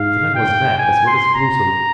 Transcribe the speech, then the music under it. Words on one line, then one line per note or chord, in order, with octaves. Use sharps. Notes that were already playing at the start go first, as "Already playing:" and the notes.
"The man was mad as well as brutal."
Already playing: G#2 F5
G5
G#5
C6
A#5